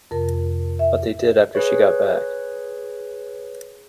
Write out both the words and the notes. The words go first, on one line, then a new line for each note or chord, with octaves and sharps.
But they did after she got back.
F2 C3 A#4
E5
G#4 B4 C#5